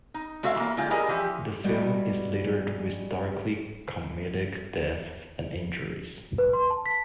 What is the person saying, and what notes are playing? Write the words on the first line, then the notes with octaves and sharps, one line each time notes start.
The film is littered with darkly comedic deaths and injuries.
D#4
G#3 F#4 A4 E5 F5
E3 A#3
D3 G#3 F4 G4
E4 G4 G#4 A#4 D#5 G#5
E3 F3 G4
G3 G#3 B3 F#4 G4
B4
C6
A5
B6